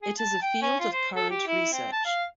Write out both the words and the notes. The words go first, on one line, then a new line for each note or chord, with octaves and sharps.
It is a field of current research.
G#4
A5
G5
C#4
F4
C5
A4
G4
E4
C4
A5
F5